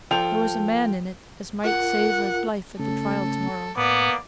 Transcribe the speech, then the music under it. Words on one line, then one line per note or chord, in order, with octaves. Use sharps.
There was a man in it as might save a life at the trial to-morrow.
F3 A4 G5 F7
F4 A#4 F#5
C#3 A3 C#4 A4
A2 A#3 B3 D5